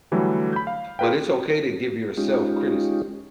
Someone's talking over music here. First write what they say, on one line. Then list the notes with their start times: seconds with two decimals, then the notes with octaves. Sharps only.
but it's okay to give yourself criticism,
0.12 D3 E3 F#3 G3 A3
0.53 B5 G6
0.67 F5
0.99 F4 G#4 A#4 B4 F5 G5
2.17 G#3 C#4 D#4 F4 G4